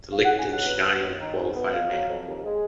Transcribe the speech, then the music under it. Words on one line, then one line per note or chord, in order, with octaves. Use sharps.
The Liechtenstein qualified a man.
C#2 F5
F#5
C#2
G#5
F#3 F#5
B3
B3
D#2
D#3
G#2
B3
F2 F5
F#3
F2
D#2
G#3